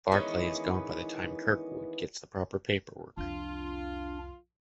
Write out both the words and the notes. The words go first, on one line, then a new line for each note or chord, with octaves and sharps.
Barclay is gone by the time Kirkwood gets the proper paperwork.
D#3 E3 G#3 B3 C#4
C2 F2 D4 F4